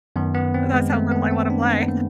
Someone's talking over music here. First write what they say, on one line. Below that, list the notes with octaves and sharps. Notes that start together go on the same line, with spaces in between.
That's how little I wanna play.
F#2 D#3 B3
B3
C4
G#3
A3
B3
C4
D4
B3
A#3